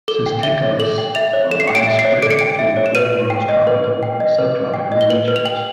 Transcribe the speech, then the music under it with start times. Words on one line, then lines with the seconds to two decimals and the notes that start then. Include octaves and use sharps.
Cisticolas are widespread through the Old World's tropical and sub-tropical regions.
0.08 A4 G7
0.26 G5
0.43 E5 G7
0.62 C#5
0.79 A4 F#7
0.98 G5
1.15 E5 F7
1.33 C#5
1.51 A4 E7
1.60 C7
1.68 G5 C#7
1.75 D7
1.87 E5
1.99 C7
2.05 C#5
2.22 A4 D7
2.31 C#7
2.39 G5 D7
2.59 E5
2.77 C#5
2.86 E7
2.95 B4 D#7
3.13 B4
3.30 G5
3.49 D#5
3.67 B4
3.84 B4
4.03 G5
4.20 D#5
4.39 B4
4.56 B4
4.74 G5
4.92 D#5
5.01 G7
5.10 B4 F#7
5.28 B4
5.36 F7
5.45 G5 F#7